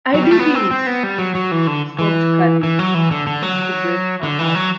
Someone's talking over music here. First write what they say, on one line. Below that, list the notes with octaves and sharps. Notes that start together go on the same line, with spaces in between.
'I didn’t!’ sobbed Cathy, fit to break her heart.
F#3
G3
A3
B3
C4
C4
B3
G3
F#3
F#3
E3
D3
E3
E3
F#3
E3
D3
D3
F#3
D3
E3
F#3